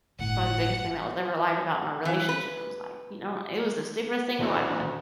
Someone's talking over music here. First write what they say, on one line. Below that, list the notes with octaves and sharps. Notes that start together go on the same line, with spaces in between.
probably the biggest thing that was ever lied about in our relationship. I was like, "You know, it was the stupidest thing to lie about.
G1 A2 F#5
E3
B4
D2 A#2 E3